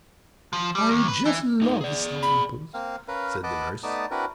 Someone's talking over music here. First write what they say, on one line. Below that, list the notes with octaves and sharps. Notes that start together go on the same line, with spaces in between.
"I just love sour apples," said the nurse.
F3
G3
D#2
B4
E3
A3 D#4
G#4 D5
B5
A#3 C4 F5
C#4 A#4 B4 F5
B4 D#5 F#5 A5 D6
A3 B3 D#4 D5 A5 D#6
C4 D4 E4 F#4 A#4 B4